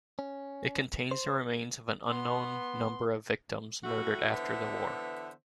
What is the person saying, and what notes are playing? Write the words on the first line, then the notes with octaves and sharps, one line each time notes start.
It contains the remains of an unknown number of victims murdered after the war.
C#4
C5
B3 C6
A2 A3 F#4
D3 E3 B3 C5 E5